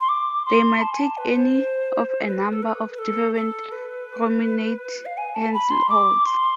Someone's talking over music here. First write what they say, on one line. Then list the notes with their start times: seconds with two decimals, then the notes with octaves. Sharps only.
They might take any of a number of different promenade handholds.
0.01 C6
0.09 D6
0.45 C6
0.81 A5
0.92 G#5
0.99 A5
1.17 B4
1.36 C5
2.22 A4
2.27 B4
2.53 A4
2.63 B4
2.95 B4
2.99 A4
3.35 A4
3.72 B4
5.06 F5
5.17 G#5
5.35 A5
5.54 B5
5.71 C6
5.89 D6
6.26 C6